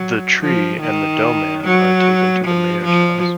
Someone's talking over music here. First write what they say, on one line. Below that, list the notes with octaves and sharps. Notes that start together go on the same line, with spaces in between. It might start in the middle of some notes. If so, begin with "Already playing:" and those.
The tree and the dough-man are taken to the mayor's house.
Already playing: F#3
F3
D#3
F#3
F3
F3